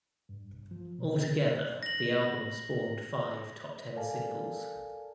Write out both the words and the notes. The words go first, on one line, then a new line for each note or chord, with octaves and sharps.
Altogether the album spawned five top-ten singles.
G2
F3
B2
A#6 F#7
A4 A#4 D5 F5 G#5 A5